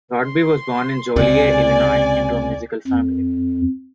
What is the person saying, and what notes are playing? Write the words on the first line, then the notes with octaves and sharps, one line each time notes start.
Rodby was born in Joliet, Illinois, into a musical family.
C6
C#2 C3 D5 G#5
F2